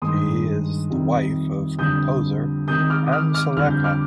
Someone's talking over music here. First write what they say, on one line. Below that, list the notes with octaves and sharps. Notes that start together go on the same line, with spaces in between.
She is the wife of composer Hamsalekha.
G2 D#3 G#3 C6 D#6
F2 C3 D#3 G3
F2 D3 G3 D#6 G6
C3 D#3 G#3 D#6 G6
D6 F6
D#6
D6 F6
D6 F6
F2 D3 G3 F6
G6
D6 F6